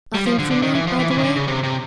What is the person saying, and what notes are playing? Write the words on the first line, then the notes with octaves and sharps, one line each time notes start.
Nothing for me, by-the-way?'
G3
F3
D3
D3
D#3
E3
F3
E3
E3
D#3
D3
C#3
C3
C3